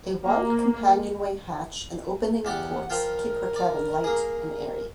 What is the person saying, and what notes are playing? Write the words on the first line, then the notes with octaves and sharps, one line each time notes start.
A wide companionway hatch and opening ports keep her cabin light and airy.
A#3
E2 G4 D5 F#5
F3 F4 A#4 G5
D5
A#3 G#4